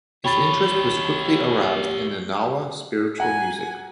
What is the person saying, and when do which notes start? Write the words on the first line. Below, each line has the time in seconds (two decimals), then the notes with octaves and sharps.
His interest was quickly aroused in the Gnawa Spiritual Music.
0.25 G4 C#5 G5 B5 A6
3.20 F#5 G#5 A#5